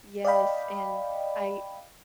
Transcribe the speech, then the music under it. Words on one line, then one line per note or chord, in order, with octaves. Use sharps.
Yes, and I
D5 D#5 F5 G5 B5